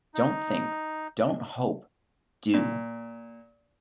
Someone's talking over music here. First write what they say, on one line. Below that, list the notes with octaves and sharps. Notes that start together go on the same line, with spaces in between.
Don't think, don't hope, do!
D#4
A#2